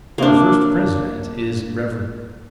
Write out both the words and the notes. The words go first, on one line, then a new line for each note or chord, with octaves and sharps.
Our first president is Rev.
A#3 D4